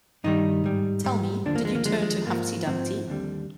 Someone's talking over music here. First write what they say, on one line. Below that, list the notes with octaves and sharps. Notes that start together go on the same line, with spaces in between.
Tell me, did you turn to Humpty Dumpty?
G2 D#3 G3 D#4
G#2 G3
G#2 G3
D#2 D3 F3 D4
A#3
G#3
A#3
D#2 D3 F3 G#3
G#3
G#2 F3 A#3
G#2 F3 C4
D#2 D3 G3